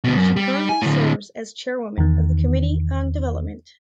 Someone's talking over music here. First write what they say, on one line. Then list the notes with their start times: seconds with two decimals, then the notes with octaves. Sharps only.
She currently serves as chairwoman of the Committee on Development.
0.04 D2 B2
0.16 F#2
0.36 G3
0.69 G#5
0.82 A2 D3
1.98 E2 D#3